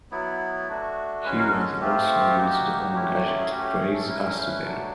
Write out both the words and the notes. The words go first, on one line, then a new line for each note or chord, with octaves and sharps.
He was also used on gadget plays as well.
F#3 B3 E4
A3 D4 F#4
G#3 C#4 F#4 B4
A#4
A4
F#4
A3 C4 F4 G4
A#3 D#4 F#4
F#3 A3 C#4 E4
G#4
A3 C#4 F#4 G4
F#4
G4
G#4
A4
A3 C#4 E4 A#4
A#4
C5
B4
F#3 A3 D4 F#4